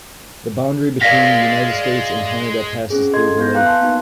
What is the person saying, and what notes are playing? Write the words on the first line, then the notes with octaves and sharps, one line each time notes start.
The boundary between the United States and Canada passes through the lake.
G#3 D5 F5 A#6 B6
C4 C#4 G#4
F4 A4 D#5 C6 G#6
B3 E4 G6 A#6
B4 F5 G5 A#5 D6 F#6
E5 G#5 A5 C6
A#3 B3 D#4 F#4